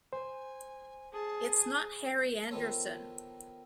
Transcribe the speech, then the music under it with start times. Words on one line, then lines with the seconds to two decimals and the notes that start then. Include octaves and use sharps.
It's not Harry Anderson.
0.13 C5 G#5
1.13 G#4 A5
2.51 D#3 F3 B3 A4 C#5